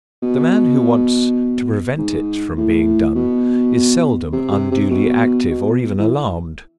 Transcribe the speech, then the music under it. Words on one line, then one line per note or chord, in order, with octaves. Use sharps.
The man who wants to prevent it from being done is seldom unduly active or even alarmed.
B2
G#2
A2
B2
C3
C3
C3
B2
B2
E3